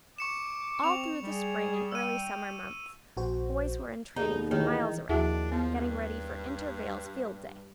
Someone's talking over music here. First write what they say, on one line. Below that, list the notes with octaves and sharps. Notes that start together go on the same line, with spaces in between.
All through the spring and early summer months, boys were in training for miles around, getting ready for Intervale's Field Day.
C#6 D6 C#7 E7
C4 F7
G3 G#4
G5 E6 D#7
A#1 F#4 C5
D#2 B2 D#4 G#4 A4
D#3 E3 D#4 G#4 C#5
D#2 F3 D4 E4 F#4 G#4 E5 F#5
F3 B3
G2